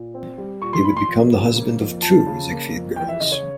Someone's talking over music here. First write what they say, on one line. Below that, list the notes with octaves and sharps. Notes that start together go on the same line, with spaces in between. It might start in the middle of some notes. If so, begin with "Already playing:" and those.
He would become the husband of two Ziegfeld girls.
Already playing: A#2
C4
G3
A#2 C#6
C6
A#2 B5
C6
F3
C#3
A#3
F2
F3 A5
C#3
A#3
F2
E3 G5
E5
C#3 D#5
C#5